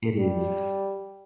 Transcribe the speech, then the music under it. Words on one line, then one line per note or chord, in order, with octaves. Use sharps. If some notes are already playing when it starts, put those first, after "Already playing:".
It is.
G3